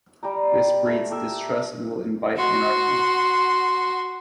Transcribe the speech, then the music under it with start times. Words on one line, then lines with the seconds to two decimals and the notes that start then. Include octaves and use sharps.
This breeds distrust and will invite anarchy.
0.23 G3 G5 A#5
0.86 A3
1.11 A3 G4 A#4 E5
2.37 F#4 C6